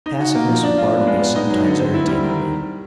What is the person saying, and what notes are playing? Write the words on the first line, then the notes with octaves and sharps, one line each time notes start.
The passiveness of Bartleby sometimes irritated me.
D#4
F#4
A#3
F3
D4
F4
B3
G#3
B3
D#4
F#3
D3
C4
E4
G3
D#3